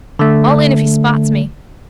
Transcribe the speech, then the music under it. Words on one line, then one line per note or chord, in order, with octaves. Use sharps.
All in if he spots me.
D3 A3